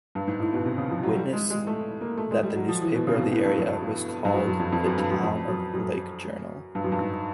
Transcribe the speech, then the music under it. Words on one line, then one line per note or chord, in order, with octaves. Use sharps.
Witness that the newspaper of the area was called the "Town of Lake Journal".
G2
G#2
A2
B2
C3
C#3
F3
F#3
G3
G#3
G#3
A3
A#3
A3
G#3
G3
F#3
F3
E3
B2
C#3
C3
B2
A2
G2
F2
G2
F#2
F#2
F2
F2
F#2
G2
F#2
F2
F#2
F#2
G2
F#2
G2
G#2